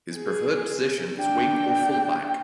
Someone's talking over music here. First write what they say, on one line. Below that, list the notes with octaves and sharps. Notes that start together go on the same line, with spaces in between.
His preferred position is wing or Fullback.
G#4
D4 G5